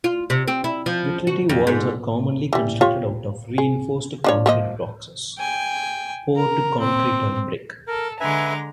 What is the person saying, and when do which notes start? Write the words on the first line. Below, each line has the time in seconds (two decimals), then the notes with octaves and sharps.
Utility vaults are commonly constructed out of reinforced concrete boxes, poured concrete or brick.
0.04 F4
0.30 C3
0.48 C4
0.64 E4
0.86 F3
1.27 F#4
1.49 F2
1.67 G#2
2.53 E3 G3
2.81 F4 G4 C#5
3.58 G#4
4.24 F3 D4 C#5
4.46 F3 A#3 D#5
5.39 G5 G#5
6.36 A#4
6.80 C4
7.87 A4 A#4
8.20 D3 G#3 B4 E5 G#5 A#5